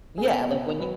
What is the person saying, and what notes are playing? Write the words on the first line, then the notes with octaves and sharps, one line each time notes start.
yeah, like when you
G#4
B3 A4
B2
F#3 B4